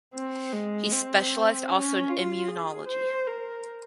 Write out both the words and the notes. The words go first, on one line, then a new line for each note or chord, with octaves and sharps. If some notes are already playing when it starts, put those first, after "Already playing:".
He specialized also in Immunology.
C4
G#3
C4
C#4
F4
G#4
C5
A#4